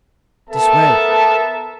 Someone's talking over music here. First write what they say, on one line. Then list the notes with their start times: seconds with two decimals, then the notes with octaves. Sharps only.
"This way."
0.49 B3 A4 A#4 E5 A5